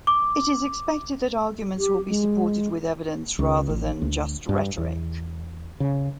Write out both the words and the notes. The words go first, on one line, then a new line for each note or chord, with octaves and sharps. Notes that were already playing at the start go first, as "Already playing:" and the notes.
It is expected that arguments will be supported with evidence, rather than just rhetoric.
D6
G4
G#3
C#2
A1
D2
G2
E2
C#3